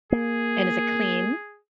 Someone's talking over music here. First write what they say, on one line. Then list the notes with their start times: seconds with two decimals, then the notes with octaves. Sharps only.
And is it clean?
0.12 A#3 G#4